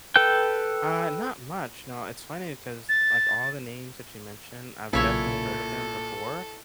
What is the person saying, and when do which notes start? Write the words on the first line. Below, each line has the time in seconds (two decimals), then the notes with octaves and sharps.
Uh, not much. No, it's funny, 'cause, like, all the names that you mentioned, I've definitely heard of them before,
0.16 A4 B4 G5 G6
2.89 A6
4.93 B1 A#2 C#3 E4 A4 C#5 E5